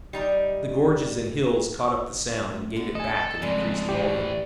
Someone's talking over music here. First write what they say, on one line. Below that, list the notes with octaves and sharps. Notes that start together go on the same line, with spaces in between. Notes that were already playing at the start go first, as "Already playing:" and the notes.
The gorges and hills caught up the sound and gave it back in increased volume.
G3 D#4 G4
A3
D3
A4 D#5 G#5
F2 C#3 E3 G#3 D5
A2 E3 G4